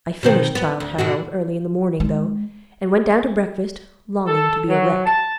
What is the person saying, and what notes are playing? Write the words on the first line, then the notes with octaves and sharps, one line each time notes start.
I finished Childe Harold early in the morning, though, and went down to breakfast, longing to be a wreck!
B2 D#3 C4
B3
D2
B2 D3 F#4
G#3
A4
F#3
A5